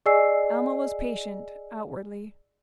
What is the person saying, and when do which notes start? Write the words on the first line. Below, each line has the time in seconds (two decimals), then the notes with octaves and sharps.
Alma was patient--outwardly.
0.06 G#4 D5 D#5 G#5 E6 C7